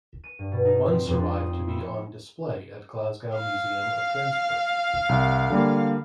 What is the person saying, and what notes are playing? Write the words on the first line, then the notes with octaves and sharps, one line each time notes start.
One survived to be on display at Glasgow Museum of Transport.
D#7
G2
B2
D#4
C4
F2
D4
D#6
C4
E4
C#7
F5
C2
D3 G3 A#3